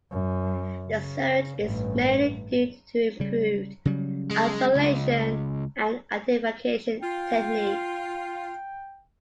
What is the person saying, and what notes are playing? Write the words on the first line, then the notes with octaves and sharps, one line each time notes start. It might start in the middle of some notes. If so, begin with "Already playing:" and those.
The surge is mainly due to improved isolation and identification technique.
F#2
C#3
A1 G2
C#3 G3
C#3 F#3 G3
G#3
C#2
F4 G5